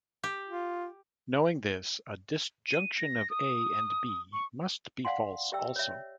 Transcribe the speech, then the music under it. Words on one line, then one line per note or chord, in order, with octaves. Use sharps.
Knowing this, a disjunction of A and B must be false also.
G4
F4
D#7
A#6
D#6
C#6
D5 F5 F#5 G#5 C6
G4 D5 E5 G5 E6
C#5 E5